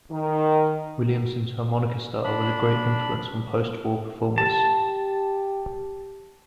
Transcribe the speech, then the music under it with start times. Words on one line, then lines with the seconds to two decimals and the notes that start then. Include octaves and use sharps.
Williamson's harmonica style was a great influence on postwar performers.
0.11 D#3
2.24 D4 B5
4.38 G4 A5